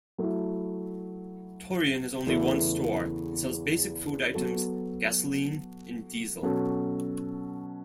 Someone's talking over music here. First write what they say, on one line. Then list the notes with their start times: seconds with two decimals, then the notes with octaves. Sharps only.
Torreon has only one store, and sells basic food items, gasoline, and diesel.
0.18 F#3 A3 E4
2.26 E2 C#3 E3 A3 E4
4.34 F#3 B3 F#4 A4
6.42 B2 F#3 C#4 F#4 A4